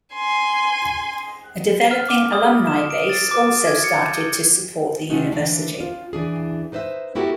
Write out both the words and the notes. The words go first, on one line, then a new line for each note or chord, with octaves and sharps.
A developing alumni base also started to support the University.
G#5 C6
F6
D6
D#6
E7
D7
A6
D6
G#6
C#7
G6
C3 A3 C#4 D#4 F#4
E3 A3 D4
F4
E3 D4 G#4
D#4 B4 C5 D#5 E5
B3 E4 F#4 G4 A4 A#4